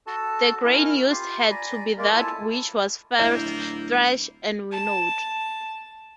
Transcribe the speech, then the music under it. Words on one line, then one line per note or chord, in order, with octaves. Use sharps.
The grain used had to be that which was first thresh and winnowed.
F#4 A4 A5
C#4 E4 A#4
F4 G4 F5
D5 G#5 A#5 B5
G#3 A#3 A#4 D5
E4 F4 A4 C#5 G#5 A5
D1 A#3 E4 D#5 G6 E7
A5